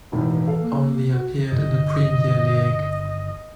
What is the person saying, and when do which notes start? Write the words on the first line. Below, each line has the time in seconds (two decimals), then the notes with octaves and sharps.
Only appeared in the Premier League.
0.12 E1 A2 D#3 E3
0.48 A4 F5
0.62 A#3
1.12 F#4
1.52 G1 D3 D#3 D#5